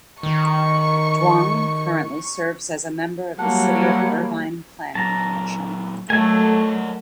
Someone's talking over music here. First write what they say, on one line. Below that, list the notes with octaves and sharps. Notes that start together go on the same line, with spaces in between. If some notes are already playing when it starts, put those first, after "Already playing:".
Duong currently serves as a member of the City of Irvine Planning Commission.
D#3 C#6
F#3 G3 A#3 F#5 A5
A#2 F#3 A5 A#5
F#3 A3 A#4 D#5 F#5 G#5 A5